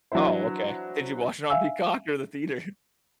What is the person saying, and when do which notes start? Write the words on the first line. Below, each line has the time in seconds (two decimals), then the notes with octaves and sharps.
Oh, okay. Did you watch it on Peacock or the theater?
0.12 E3 F#3 D4 E4 C5
1.50 E5 F5 G#5 E6